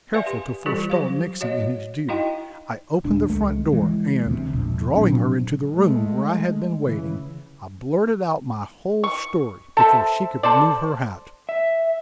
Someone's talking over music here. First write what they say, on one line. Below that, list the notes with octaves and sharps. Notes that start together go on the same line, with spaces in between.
Careful to forestall Nixon in his duty, I opened the front door, and, drawing her into the room where I had been waiting, I blurted out my whole story before she could remove her hat.
B4 D5 E5 F5 G#5
G4 C6
E3 G3 F4 G4 A4
F#3 G4 C5 F5
F#4 C#5 D#5 F5
D#4 E4 F#4 D#5 F5 G5
D#1 D4
C#2 G#3 A3
E3 G#3
D2 C3
E1 A#1
A#2 F#3 C4 D4
G#3 A3
C#3 E3
C#6
A4 C5 E5
A4 C5 D5
E5